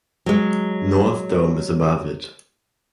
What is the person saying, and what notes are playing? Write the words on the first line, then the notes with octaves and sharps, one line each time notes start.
North Dome is above it.
F#3 G#3